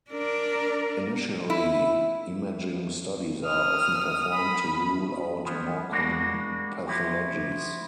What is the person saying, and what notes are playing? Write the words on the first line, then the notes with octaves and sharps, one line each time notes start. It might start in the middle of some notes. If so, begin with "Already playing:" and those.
Initially, imaging studies are often performed to rule out more common pathologies.
D4 A#4
E4
D#6 F6
B5
E3 F3 B3
G3 G#3 A#3 D4 F#4
F3 E4 F#4 G4